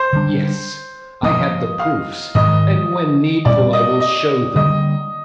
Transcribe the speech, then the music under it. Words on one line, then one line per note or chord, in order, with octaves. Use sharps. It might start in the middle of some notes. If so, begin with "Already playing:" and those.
Yes, I have the proofs, and when needful I will show them.
Already playing: C5
D3 G3 D4
G2 F3 A#3 D#5
F5
G#2 D#3 G#3 D#5
A#2 G3 C4 D5
D#5
D#5
D3 G3 A#3 D#5